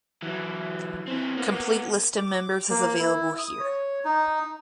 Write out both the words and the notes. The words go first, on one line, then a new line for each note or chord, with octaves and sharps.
Complete list of members is available here.
E3 F#3
E3 C4
A#3 B3
D6
A#3
E4
D#6
C#5
D#4